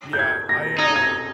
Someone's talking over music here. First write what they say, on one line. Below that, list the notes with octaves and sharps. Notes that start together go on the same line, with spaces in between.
Yeah. I, uh,
G6
G#6
A#6
D#4 G#6
G#6
A#6